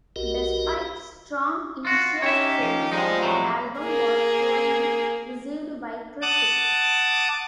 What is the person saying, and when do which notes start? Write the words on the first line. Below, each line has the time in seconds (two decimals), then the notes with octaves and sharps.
Despite strong initial sales, the album was poorly received by critics.
0.16 B1 F#4 G4 A#4 D#5
1.85 F4 F#4
2.22 C#4 D#4 G4 C#5 E5
2.59 D#2 F3
2.92 F3 G3 G#3 D#4
3.22 F2 A2 F#3
3.80 A#3 G#4
6.22 F#5 A5 D6 D#6 F#6